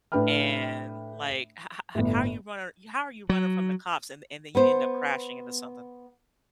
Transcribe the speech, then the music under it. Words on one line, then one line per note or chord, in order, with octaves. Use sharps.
and, like, "Ho ho how are you runnir how are you running from the cops and and then you end up crashing into something?"
A2 D4 B4 G5 B5 F6
G1 A2
F#3
B3 B4 C5